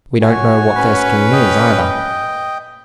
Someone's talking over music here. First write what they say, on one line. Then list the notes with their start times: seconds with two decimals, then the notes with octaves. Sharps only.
We don't know what their scheme is either.
0.22 F#4 C#5 G#5
0.77 C#4 B4
1.32 D#5 G5